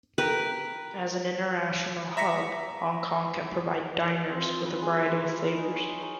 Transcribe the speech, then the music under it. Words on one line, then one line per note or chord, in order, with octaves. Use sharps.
As an international hub, Hong Kong can provide diners with a variety of flavours.
G4 A#4 B4
E5 A#5 A#6 B6 C#7
D#5
C4
F4
B4
G#4
F4
D#4
C#5
A#5